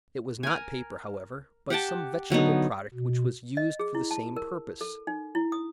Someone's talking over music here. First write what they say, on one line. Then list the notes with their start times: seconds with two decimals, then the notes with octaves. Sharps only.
It was not paper, however, but some vegetable product which was used for the same purpose.
0.43 A#4 G#5
1.70 G4 F#5 G5 A5
2.30 D3 F#3 B3 D#4
2.94 B2
3.57 D#5
3.79 G#4
3.95 E4
4.11 A5
4.36 A#4
4.81 A4
5.07 D#4
5.35 E4
5.52 D#6